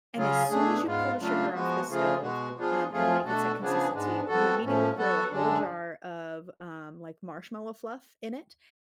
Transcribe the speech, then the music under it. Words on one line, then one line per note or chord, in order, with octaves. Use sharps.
and as soon as you pull the sugar off the stove, um, and when it gets that consistency, you immediately throw a whole jar of, um, like, marshmallow fluff in it,
C#3 F#3 C#4 F4 G#4
B2 A3 D4 G#4
G#2 G#3 B3 F4
C#3 F#3 A3 D4 F4
F3 G#3 B3 F#4
C#3 F3 A3 F4 G#4
B2 G#3 B3 F#4
F3 B3 D4 F4 G#4
F2 F3 A3 F4 G#4
B2 A3 D4 F#4 A4
C#3 F3 B3 D4 G#4
G#2 G#3 B3 D4
F2 F3 B3 F#4 A4
A2 F3 A3 C#4
F#3 B3 F#4 A4
F#2 D3 G#3 D4